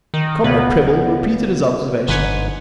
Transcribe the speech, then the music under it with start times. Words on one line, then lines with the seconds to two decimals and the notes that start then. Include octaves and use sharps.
Comrade Prebble repeated his observation.
0.14 D#3
0.44 C#2 B2 A#3 B3
2.09 G1 G#2 D3 B4 C#5